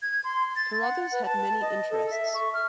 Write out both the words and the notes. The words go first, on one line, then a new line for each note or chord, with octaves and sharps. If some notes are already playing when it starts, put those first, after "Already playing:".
Carruthers had many interests.
G#6
C6
A6
F#5
B4
A5
D#5
A4
E5
C#6
F6